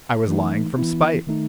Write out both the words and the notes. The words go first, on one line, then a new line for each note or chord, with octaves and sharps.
I was lying from spite.
E3 A3 D#4
E3 B3 E4
D#3 A3 D#4